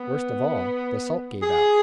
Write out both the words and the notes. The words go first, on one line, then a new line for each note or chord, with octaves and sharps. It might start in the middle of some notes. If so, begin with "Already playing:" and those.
Worst of all, the salt gave out.
Already playing: B3
G#4